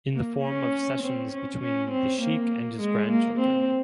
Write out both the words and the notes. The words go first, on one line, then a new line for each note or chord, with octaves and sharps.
In the form of sessions between the Sheikh and his grandchildren.
A#3
C#4
C4
C#4
C#4
C4
A#3
G#3
A#3
C4